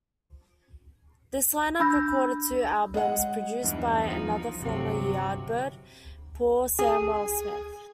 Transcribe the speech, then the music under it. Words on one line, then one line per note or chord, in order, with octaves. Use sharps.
This line-up recorded two albums, produced by another former Yardbird, Paul Samwell-Smith.
D4 B5 E6 G6 A#6
G#3 D#5 F#5
E2 G2 E3
F3 D#4
G1 C3 F#3
G#4